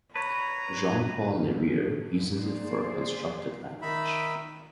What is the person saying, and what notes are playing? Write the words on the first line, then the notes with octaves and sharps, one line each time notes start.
Jean-Paul Nerriere uses it for a constructed language.
B4 C#5 A#5
A#3 G#4 C5 D5
D#3 D#4 E5 B5